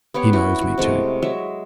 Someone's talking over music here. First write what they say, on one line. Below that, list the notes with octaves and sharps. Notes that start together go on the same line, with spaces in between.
He knows me too.'
B3 G4 C#5 F#5
C#4 E4 F#4
F#4
C3 G#3 A3
F#3 G#3 E5